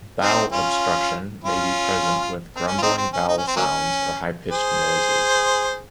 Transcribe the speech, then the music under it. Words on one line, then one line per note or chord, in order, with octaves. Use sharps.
Bowel obstruction may present with grumbling bowel sounds or high-pitched noises.
C4 D#4
C#4 F4
C#4 F4
C4
C#4
F4
C4 D#4
C4
C#4
D#4
C#4
C4
F#3 A#3 C#4
G#4 C5